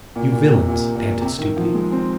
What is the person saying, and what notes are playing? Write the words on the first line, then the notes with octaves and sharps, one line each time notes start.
"You villains," panted Stuteley.
A#2
A#2
C3
A#2
A#2
C3
D#3
F3
G#3
C4